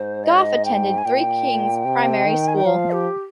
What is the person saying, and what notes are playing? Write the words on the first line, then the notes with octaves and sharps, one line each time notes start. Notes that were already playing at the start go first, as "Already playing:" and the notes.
Goff attended Three Kings Primary School.
Already playing: G#2 C5
D#5
C#5
D#5
G5
G#5
A#2 G5
C3
D#3
G#5
G5
F3 F5
G4